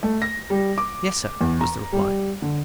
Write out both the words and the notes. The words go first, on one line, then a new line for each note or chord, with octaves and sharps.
"Yes, sir," was the reply.
A3
A#6
G3
D6
E2
A#5
G3
D3